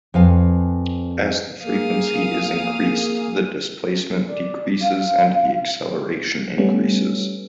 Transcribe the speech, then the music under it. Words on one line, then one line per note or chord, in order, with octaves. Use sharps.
As the frequency is increased, the displacement decreases, and the acceleration increases.
F2 B4 F5 G#5
A#3 G#4 F5 D#6
D5
F5
G3 A3 B3 C#4